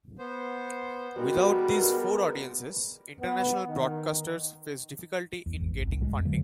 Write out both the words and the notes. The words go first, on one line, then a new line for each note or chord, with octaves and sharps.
Without these four audiences, international broadcasters face difficulty in getting funding.
B3 C5
G3 G#3 B3 D#4 F#4 A#4
B3
D#3
E2
G#1
C2
A2 G#3
F2 G#3
D3 F#3 A#3